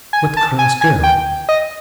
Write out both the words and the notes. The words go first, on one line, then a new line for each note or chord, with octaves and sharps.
What cross girl!
G#5
A5
G#5
G#5
G5
D#5